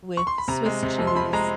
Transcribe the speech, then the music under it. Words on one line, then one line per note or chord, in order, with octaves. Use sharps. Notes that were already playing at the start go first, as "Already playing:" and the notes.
with swiss cheese,
C#6
C6
B5
C3 A#5
G#3
C3
F2
C6
F2 B5
G#3 A#5